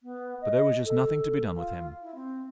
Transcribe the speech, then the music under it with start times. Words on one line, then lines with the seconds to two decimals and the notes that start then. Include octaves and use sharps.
But there was just nothing to be done with him.
0.02 B3
0.41 D#5
0.85 A4
1.54 F4
2.01 E4
2.14 C4